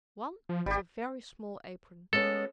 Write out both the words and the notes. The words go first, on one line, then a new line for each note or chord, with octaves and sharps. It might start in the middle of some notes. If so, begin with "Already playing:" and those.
One was a very small apron.
F3
G#1 G3 G4
G#3 B3 C#4 A4